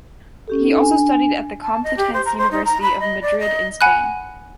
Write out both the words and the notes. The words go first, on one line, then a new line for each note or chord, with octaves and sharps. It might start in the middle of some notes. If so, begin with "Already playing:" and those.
He also studied at the Complutense University of Madrid in Spain.
C#4 G4 A4
D#4 A4
D4 G#5
A5
D#5
G4
C5
A#5
C5
D#4
A#5
B5
D#5
D5
D#5
F#5 G#5 B5 F#6